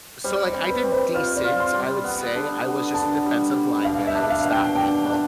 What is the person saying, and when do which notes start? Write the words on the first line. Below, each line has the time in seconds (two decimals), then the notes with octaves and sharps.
So, like, I did decent, I would say, I was just a defensive lineman, I would stop people.
0.24 G3 C5
0.47 C5
0.54 C4
0.70 B4
0.84 C4
0.92 C5
1.14 F4 C5
1.37 D5
1.44 F4
1.60 C6
1.74 G3
2.04 B3
2.35 D3
2.65 B3
2.94 D3 A5
3.25 G3
3.55 G3
3.85 B2 F5
4.07 E5
4.15 D4
4.30 F5
4.45 B2
4.52 G5
4.75 D4 G5
5.05 D4